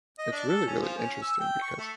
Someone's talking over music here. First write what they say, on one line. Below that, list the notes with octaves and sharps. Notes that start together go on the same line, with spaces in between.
it's really, really interesting because,
D#5
D4
A4
C#4
F3
C#4
E6
G5
C#6
A3